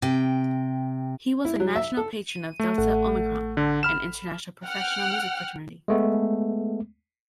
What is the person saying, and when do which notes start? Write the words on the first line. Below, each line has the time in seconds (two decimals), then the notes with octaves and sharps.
He was a National Patron of Delta Omicron, an international professional music fraternity.
0.02 C3 G5
1.45 E4
1.60 F#3
1.76 E5
1.97 A4
2.29 D#7
2.59 A3
2.78 A1 A4 F#5
3.57 D3
3.83 B5 F6 E7
4.64 F#5 G5 F6 F#6
5.88 G#3 A3 B3